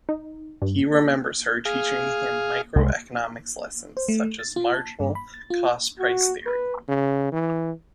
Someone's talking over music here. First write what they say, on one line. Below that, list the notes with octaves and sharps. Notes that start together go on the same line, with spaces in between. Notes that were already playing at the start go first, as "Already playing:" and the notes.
He remembers her teaching him micro-economics lessons, such as marginal cost price theory.
D#4
G2
G#4 F5
C2 G#3
C5
A3
A6
F4
A5
G2
B5
A6
F4
F#4
B4
C#3
E3